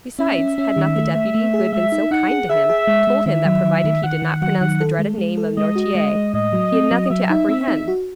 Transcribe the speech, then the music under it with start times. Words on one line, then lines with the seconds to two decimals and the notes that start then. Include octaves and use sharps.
Besides, had not the deputy, who had been so kind to him, told him that provided he did not pronounce the dreaded name of Noirtier, he had nothing to apprehend?
0.19 C#4 E5
0.39 C#4
0.58 C#4
0.77 D#3
0.96 A3
1.15 A3
1.35 A3
1.54 G#4
1.72 G#3 E5
1.92 D#4
2.11 D#4 F#5
2.31 G#4
2.50 G#4 E5
2.69 G#4
2.87 G#3
3.07 G#3
3.26 D#3 E5
3.45 F#3
3.65 D#3
3.84 D#3
4.04 D#3 F#5
4.22 D#3
4.41 F#3 F#5
4.61 D#3
4.80 A4
4.99 G#3
5.18 G#3
5.37 A4
5.57 G#3 D#5
5.76 F#4
5.95 G#3 D#5
6.15 G#3
6.34 A2 D#5
6.53 F#3
6.72 C4
6.91 F#3
7.10 F#3 E5
7.30 D#4
7.49 C4 E5
7.68 D#4
7.88 F#4